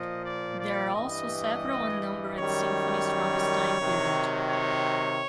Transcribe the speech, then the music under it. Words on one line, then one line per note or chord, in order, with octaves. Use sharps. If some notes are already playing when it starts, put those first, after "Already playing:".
There are also several "unnumbered" symphonies from this time period.
Already playing: A#2 F3 D#5
D5
D5
G2 E3 G3 D#5
F#2 D#3 G3 C#5
C3 D#3 F#3
C#5